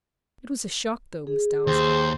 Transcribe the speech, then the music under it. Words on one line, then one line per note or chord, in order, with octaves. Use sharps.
It was a shock, though, Miss Dalstan.
G#4
D#2 C5